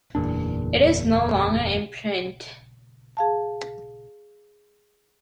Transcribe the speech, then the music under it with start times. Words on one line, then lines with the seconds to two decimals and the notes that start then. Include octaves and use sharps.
It is no longer in print.
0.15 F#1 E2 A#2 D4
3.17 G#4 F5 A5